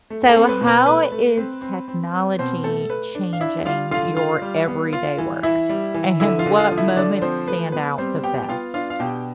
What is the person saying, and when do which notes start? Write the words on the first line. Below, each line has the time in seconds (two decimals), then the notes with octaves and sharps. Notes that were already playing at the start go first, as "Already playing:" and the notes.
So how is technology changing your everyday work? And what moments stand out the best?
0.10 A3
0.29 A4
0.35 C4
0.49 B4
0.61 B2
0.67 B4
0.86 A3 B4
1.12 A3
1.37 C4
1.62 C4
1.88 C4
2.13 C4
2.39 B2 C4 C5
2.64 A3 A4
2.89 A3 B4
3.15 D4
3.33 F5
3.40 D4 E4 E5
3.66 G3 F4 F5
3.91 D3 F4 F5
4.17 F4
4.42 G3
4.68 B3
4.93 F4
5.18 E3
5.43 E3 E4 E5
5.69 G3
5.94 E3
6.20 D3 E4 E5
6.39 F4 F5
6.46 D3
6.58 F4 F5
6.71 F3
6.77 E4 E5
6.96 D3 D4 D5
7.22 F3 C4 C5
7.47 A3 B4
7.72 B3 B4
7.98 G3 C4 C5
8.24 B3 G4 G5
8.49 B3 F4 F5
8.74 D4 F4 F5
8.90 F5
9.00 B2 G4 G5